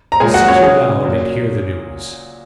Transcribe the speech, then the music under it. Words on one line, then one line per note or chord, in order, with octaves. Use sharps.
Sit you down and hear the news.
A#5
A#2 G#3 G#4 G#5
F#4 F#5
C#4 C#5
C#3 F#3 G#4
A#2 F#3